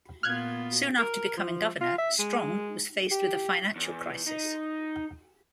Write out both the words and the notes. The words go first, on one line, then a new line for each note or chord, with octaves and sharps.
Soon after becoming governor, Strong was faced with a financial crisis.
A#2 B3 F4 F6 F#6 G#6
A#4
F3
F4
E5
G#3
G4
E2
D#4